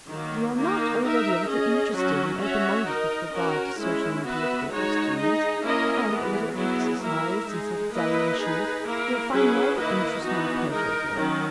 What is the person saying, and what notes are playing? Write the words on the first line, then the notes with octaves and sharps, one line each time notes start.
If you are not already a little interested and open-minded with regard to social and political questions, and a little exercised in self-examination, you will find neither interest nor pleasure here.
D#3 F#3 A#3
D#3 A#3 D#4
D#4 A#4 E5
C#4 G#4 D#5
F#3 C#4 F#4
C#4 F#4 C#5 E5
D#4 A#4 D#5
C#4 F#4 A#4
G#3 C#4 E4
B3 F#4 B4 E5
G#3 D#4 F#4 C#5
D#4 G#4 D#5
A#3 C#4 E4 A#4 D#5
E3 G#3 B3
F#3 B3 E4 G#4
A#3 E4 A#4 E5
G#3 D#4 G#4
A#3 E4 B4 D#5
D#4 G#4 B4
A#3 E4 A#4
F#3 C#4 E4 G#4 B4
D#3 A#3 E4 B4 D#5
E3 B3 D#4 F#4
G#3 D#4 A#4 D#5
D#3 F#3 C#4